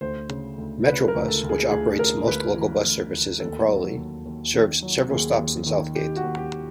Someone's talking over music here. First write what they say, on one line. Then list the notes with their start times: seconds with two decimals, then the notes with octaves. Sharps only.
Metrobus, which operates most local bus services in Crawley, serves several stops in Southgate.
0.01 D2 C5
0.29 C#3
0.58 D2
0.86 C#3 B4
1.08 A#4
1.15 D2
1.28 A4
1.43 D2
1.49 G#4
1.71 D2 G#4
1.99 D2 A#4
2.27 D2 B4
2.56 E3
2.84 D2
3.12 D2
3.40 D#2 A4
3.69 F#3
3.97 D#2
4.25 D#2
4.54 D#3
4.82 F#3
5.10 D#2 G#4
5.39 D#2
5.66 D#3
5.95 D#3 G4
6.16 F#4
6.23 D#2
6.37 G4